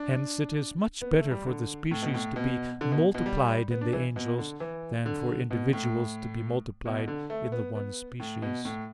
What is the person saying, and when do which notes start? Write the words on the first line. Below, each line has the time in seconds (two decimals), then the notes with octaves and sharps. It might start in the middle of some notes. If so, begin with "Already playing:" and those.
Hence it is much better for the species to be multiplied in the angels than for individuals to be multiplied in the one species.
Already playing: D4
1.01 B3
1.16 A3
1.31 G3
1.47 D3
1.91 A2
2.02 B2
2.14 A2
2.36 B2
2.81 D3
2.92 B2
3.15 B2
3.26 G3
3.71 B3
3.81 D4
3.93 E3
4.16 B2
4.38 D3
4.60 E3
5.06 D3
5.51 B2
5.73 A2
6.86 B2
7.08 D3
7.30 A3
7.52 B3
7.75 B3
8.20 A2
8.42 B2
8.65 A2